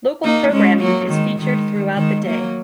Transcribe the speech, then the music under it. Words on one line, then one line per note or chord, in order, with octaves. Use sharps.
Local programming is featured throughout the day.
A#3 D#4
G#3 C#4
F#3 A#3
D#3 G#3
D#3 G#3
D#3 G#3
F#3 A#3